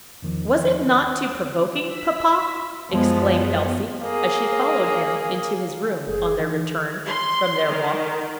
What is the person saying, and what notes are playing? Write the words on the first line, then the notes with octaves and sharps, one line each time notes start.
"Was it not too provoking, papa?" exclaimed Elsie, as she followed him into his room on their return from their walk.
E2 D#3 F3
E6 B6
F#2 F3 G#3 B3
A#3 G#4
F#1 G#4
E3 D#4
C6
D#3